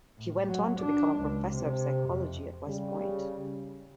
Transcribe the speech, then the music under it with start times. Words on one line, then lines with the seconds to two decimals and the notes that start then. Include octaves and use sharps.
He went on to become a professor of psychology at West Point.
0.17 A2
0.48 F#3
0.80 D4
1.20 C#2
1.54 C3
2.08 F2
2.67 C#3 G3